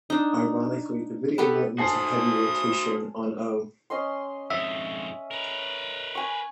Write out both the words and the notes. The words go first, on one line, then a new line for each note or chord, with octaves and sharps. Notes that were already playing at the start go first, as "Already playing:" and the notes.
Ironically, the video went into heavy rotation on Oh!
D4 D#4
B3 G4 A4 B4
F#4 C5 G#5 A5 D#6 C7
C#4 D#5 C6
F2 G#2 E5 D#6
A#4 B4
G#5 C#6